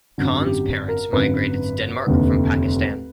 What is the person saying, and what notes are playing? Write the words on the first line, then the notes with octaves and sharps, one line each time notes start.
Khan's parents migrated to Denmark from Pakistan.
G#1 F#2 D3
G4
A#4
G#1 F#2 D3 B4
F1 D#2 D3